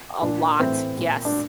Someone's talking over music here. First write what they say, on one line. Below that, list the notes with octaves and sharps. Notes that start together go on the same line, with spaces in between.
a lot, yes,
A#2 D4
A2 E3 C4
A#2
D4